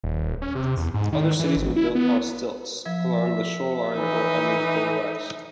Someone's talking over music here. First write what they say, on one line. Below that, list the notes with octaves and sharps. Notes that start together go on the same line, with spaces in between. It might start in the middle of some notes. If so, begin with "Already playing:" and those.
Other cities were built on stilts along the shoreline or under the polar ice.
D#1
C#4
C3
E2
G#2
D#3
E3
G#1
E4
B3
F3 E5
E3 D#4